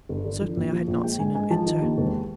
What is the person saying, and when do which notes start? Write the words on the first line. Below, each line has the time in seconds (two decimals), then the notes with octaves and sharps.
Certainly, I had not seen him enter.
0.09 G1
0.25 D3
0.41 F3
0.57 A#1
0.72 F3
0.88 A#1
1.04 G#3 G5
1.19 G#2 G#5
1.35 G#2 G#5
1.50 F3 A5
1.66 D#3
1.82 D#2
1.98 E1